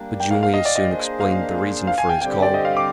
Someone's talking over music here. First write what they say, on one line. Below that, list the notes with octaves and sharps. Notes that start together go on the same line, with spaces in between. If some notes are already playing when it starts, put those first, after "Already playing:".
But Julius soon explained the reason for his call.
Already playing: G3 A#3 D4
G5
F5
F5
D#5
D5
D#5
A#3 D4 G#4 C5
F5
F5
G#5
G5
D3 G3 C4 G4 G5
D5
D#5
F5
D6